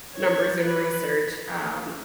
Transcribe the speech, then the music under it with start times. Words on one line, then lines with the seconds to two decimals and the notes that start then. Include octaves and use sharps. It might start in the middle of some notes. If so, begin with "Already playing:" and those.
numbers and research, um,
0.13 C#5
0.61 B4